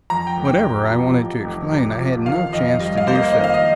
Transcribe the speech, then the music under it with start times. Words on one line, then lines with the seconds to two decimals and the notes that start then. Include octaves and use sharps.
Whatever I wanted to explain I had no chance to do so.
0.10 F2 A#5
0.27 G5
0.37 F1
0.45 G5
0.63 C3
0.90 F3
1.17 F2
1.44 F1
1.71 C3
1.99 F3
2.25 D#3 F5
2.53 F2 D#5
2.80 G3 D#5
2.97 F5
3.06 A#3 C5
3.15 D#5
3.33 D#3 D#5
3.44 F5
3.54 D#5